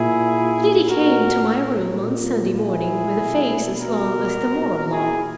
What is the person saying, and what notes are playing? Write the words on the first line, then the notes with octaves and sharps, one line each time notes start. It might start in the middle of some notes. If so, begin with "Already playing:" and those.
Liddy came to my room on Sunday morning with a face as long as the moral law.
Already playing: A#2 E4 G#4
A#2 F#4 A#4
A#2
E4 G#4
B2
F#4 A#4
A#2
E4 G#4